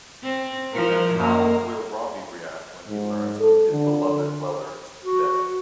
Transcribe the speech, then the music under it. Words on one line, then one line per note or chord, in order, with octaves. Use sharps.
And how will Robbie react when he learns of his beloved Wellard's death?
C4
F3 A#4
F#2 A#3
G#2
A4
D3
F#4